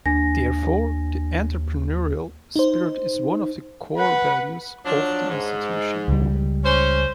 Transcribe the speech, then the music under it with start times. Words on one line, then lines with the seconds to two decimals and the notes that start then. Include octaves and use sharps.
Therefore, the entrepreneurial spirit is one of the core values of the institution.
0.06 D#2 D4 G#5 A#6
2.56 D#4 C5
3.97 B4 F#5
4.85 F3 F#3 D4
5.29 G#2
6.08 C#2 G3
6.64 C#4 C5